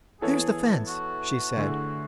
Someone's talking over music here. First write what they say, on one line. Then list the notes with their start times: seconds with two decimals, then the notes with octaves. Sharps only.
"There's the fence," she said.
0.21 E3 B3 E4 G#4 A4 C#5
0.88 F#4
1.57 D3 A3 E4 G#4